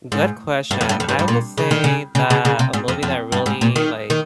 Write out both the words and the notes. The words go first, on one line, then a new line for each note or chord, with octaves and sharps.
Good question. I would say that a movie that really, like
G#2
G2
F2
G2
F2
G2
G2
A#2
C#3
D#3
C#3
C#3
C#3
C#3
C3
G#2
F2
F2
G2
G#2
A#2
D#3
D#3